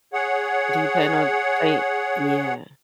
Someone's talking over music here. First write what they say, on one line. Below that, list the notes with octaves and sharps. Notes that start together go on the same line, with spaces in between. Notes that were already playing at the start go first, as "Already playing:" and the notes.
Do you plan on play yeah,
G#4 C#5 F#5